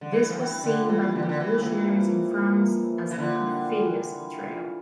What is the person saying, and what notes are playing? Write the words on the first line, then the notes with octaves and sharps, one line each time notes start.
This was seen by the revolutionaries in France as a "perfidious" betrayal.
D3
E3 D4
F3 G3
E3
A4
D3
A#2
E3 D4
G3
D3
E3
D3 A4
E3
A#2
F3
E3 A#3
F3
E4
A#2
A#3
F3
E4
A#2
E3
D3 D4
G3
F4
E3
D4
G3
F4
E3